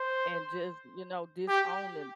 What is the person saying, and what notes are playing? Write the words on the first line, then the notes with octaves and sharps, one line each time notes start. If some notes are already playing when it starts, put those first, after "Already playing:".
and just, you know, disowning
Already playing: C5
G4